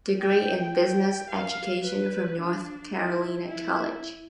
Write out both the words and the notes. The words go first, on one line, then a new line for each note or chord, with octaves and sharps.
Degree in Business Education from North Carolina College.
G5
G5
F5
B4
D4
E4
E4